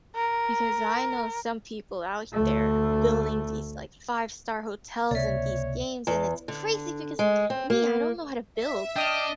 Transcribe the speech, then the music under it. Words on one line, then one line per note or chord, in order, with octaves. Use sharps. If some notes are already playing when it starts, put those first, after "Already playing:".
because I know some people out there building these, like, five-star hotels and these games and it's crazy because me, I don't know how to build.
A#4
D2 A3
C#2 C3 A#3 C#5 D5 E5
E2
D3
G#3
C4
A#3
E5
D4 D#5 G5 D#6 F6